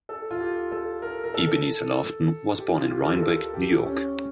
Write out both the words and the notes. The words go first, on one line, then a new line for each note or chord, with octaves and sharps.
Ebenezer Laughton was born in Rhinebeck, New York.
A4
F4
G4
A4
A#4
A#4
A4
G4
F4
G4
A#4
A4
A4
G4
C#4